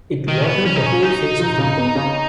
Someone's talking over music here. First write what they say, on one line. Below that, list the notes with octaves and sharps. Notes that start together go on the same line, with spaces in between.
It watered the whole face of the ground.
D#3
C#4
B3
F3 C#4 F4
D#4
C#4
F#3 D#4 F#4
F3 F4
C#3 C#4
B3
C#3 C#4